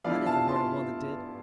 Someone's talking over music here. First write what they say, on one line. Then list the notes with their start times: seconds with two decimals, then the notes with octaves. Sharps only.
"I never heard of one that did."
0.04 D3 F3 B3 E4 D5 F5
0.26 F5 A5
0.48 A5 C6